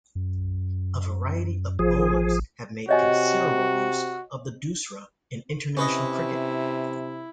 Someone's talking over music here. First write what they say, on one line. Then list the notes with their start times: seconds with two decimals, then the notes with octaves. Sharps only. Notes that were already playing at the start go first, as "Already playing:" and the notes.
A variety of bowlers have made considerable use of the doosra in international cricket.
0.15 F#2
1.79 A1 F3 G#4
2.89 C3 F#4 C#5 D#5 G#5
5.77 C3 C#4 E4 B4 D#5